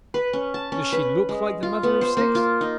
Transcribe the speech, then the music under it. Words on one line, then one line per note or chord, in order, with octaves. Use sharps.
'Does SHE look like the mother of six?'
B4
C#4
A5
C#4
B4
G#3
F4
B3
C5
A#3
F4
D#4